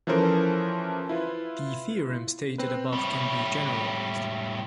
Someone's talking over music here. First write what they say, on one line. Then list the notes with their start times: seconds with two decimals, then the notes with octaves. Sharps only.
The theorem stated above can be generalized.
0.07 E3 F3 C#4 A4 A#4 C5
1.09 E4 F4 B4
2.58 C4 B4
2.93 A2 G3